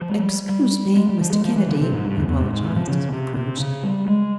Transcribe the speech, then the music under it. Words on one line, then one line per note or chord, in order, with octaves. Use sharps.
"Excuse me, Mr. Kennedy," he apologized, as we approached.
F3
G#3
G3
G3
G#3
G3
F3
G#3
F3
E3
C#3
C3
G#2
G2
E2
E2
G#2
G#2
E3
F3
C#3
C3
C3
C#3
G3
G#3